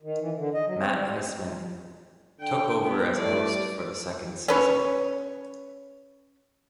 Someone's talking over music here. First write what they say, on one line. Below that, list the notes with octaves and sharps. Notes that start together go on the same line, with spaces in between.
Matt Iseman took over as host for the second season.
D#3
E3
D3
D#5
F#3
C4
G3
D3 G5
B3
A2 D5
C#4 B4 C#5